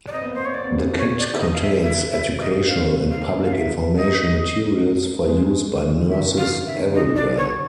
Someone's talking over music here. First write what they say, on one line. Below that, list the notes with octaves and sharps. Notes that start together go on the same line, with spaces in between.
The kit contains educational and public information materials, for use by nurses everywhere.
D5
C4 D#5
B3
A#3 C5
B3
C#5
C4 D5
B3
C4
C#5
D5
E5
D#5
F5
E5
E5
E5
D#5
C4 F5
A#3 F5
F5
E5
D#5
G#3
G#3
D#3 E5
D3
C#3
D3
F5
E3
D#3
D3 E5
D#3
D3 D#5
D5
D3 C#5